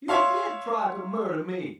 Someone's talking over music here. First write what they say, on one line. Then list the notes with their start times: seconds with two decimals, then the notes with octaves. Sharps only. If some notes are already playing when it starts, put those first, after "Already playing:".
"You did try to murder me!"
0.08 C#5 E5 F5 C6